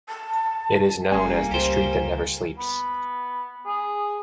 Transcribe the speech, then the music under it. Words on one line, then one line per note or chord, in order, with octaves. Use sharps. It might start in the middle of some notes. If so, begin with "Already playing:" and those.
It is known as the street that never sleeps.
A5
F#1 G3 A#3 C#4 G#5
C#2 G4 C5
B3
G#4